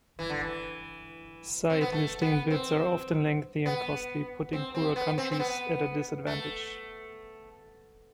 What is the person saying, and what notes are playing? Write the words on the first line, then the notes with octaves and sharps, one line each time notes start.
Site listing bids are often lengthy and costly putting poorer countries at a disadvantage.
E3
D3
E3
C4
B3
A3
B3
C4
B3
C4
C4
B3
C4
C4
B3
A3